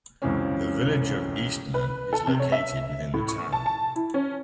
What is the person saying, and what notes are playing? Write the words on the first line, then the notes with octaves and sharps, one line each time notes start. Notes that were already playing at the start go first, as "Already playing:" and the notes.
The Village of Eastman is located within the town.
C#2 F#2 C#3 E3 C4 C#4
B4
A4
C3
C#5
E5
A2
C#6
A5
A5
E4
C#4